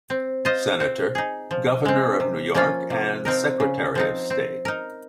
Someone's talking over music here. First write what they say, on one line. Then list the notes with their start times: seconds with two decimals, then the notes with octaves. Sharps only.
Senator, governor of New York, and Secretary of State.
0.10 C4
0.45 F4 C5 D#5
0.80 C4
1.15 D#4 G#4
1.51 F3
1.85 G#3 C4
2.20 C3
2.54 F3 A#3 C#4 F4
2.90 C3
3.25 F3 C4 D#4 A#4
3.60 C#3
3.95 F3 C4 D#4
4.30 C4
4.65 D#4 A#4